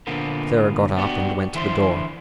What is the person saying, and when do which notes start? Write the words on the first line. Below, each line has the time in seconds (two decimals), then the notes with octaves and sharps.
Sarah got up and went to the door.
0.07 A#2 D3 F3 A#3 B3
0.97 B3 D4 F#4 G4
1.54 D3 E3 E4 C5 C6